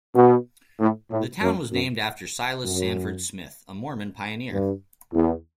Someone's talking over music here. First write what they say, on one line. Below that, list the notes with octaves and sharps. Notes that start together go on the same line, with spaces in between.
The town was named after Silas Sanford Smith, a Mormon pioneer.
B2
A2
A2
F#2
F#2
F#2
G2
E2